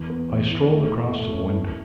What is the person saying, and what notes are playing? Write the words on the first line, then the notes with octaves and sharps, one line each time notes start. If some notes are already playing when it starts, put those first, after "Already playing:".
I strolled across to the window.
Already playing: E2
B3
E2
E4
A3
A2
A3
C#4
E4